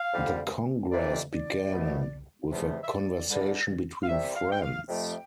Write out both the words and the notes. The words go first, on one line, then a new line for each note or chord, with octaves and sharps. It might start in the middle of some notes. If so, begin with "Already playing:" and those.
The congress began with a conversation between friends.
Already playing: F5
F2 D3 G3
F2 C3 E3 D5
D5
C2 B2 A3
E2 C3 F3 A3 C5
E5
D5
E2 D3 G3
F5
C2 C3 G3 E5
F5
G5
F5
F2 C3 F3 A3 G5